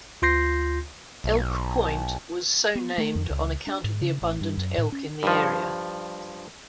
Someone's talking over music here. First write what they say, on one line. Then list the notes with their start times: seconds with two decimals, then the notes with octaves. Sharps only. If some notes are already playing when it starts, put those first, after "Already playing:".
Elk Point was so named on account of the abundant elk in the area.
0.22 D2 F4 C6 G6 A#6 C7
1.24 B1
2.75 B3
2.98 A3
3.15 F2
3.30 C#2
3.67 D4
3.84 G#2
4.01 C#3
4.22 A1
4.41 G2
4.57 F#2
4.78 A2
4.92 C#4
5.23 G2 F3